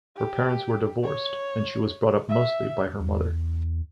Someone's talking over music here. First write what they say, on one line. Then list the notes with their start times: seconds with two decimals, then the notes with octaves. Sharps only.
Her parents were divorced, and she was brought up mostly by her mother.
0.17 G4
1.03 C#5
2.29 E5
3.00 E2